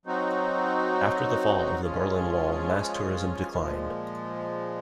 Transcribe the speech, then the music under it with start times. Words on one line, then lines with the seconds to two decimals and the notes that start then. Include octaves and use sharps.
After the fall of the Berlin Wall, mass tourism declined.
0.05 F#3 C4 D#4 F#4
1.82 F3 G#3 C#4 F4 G#4
3.56 A#2 F3 G#3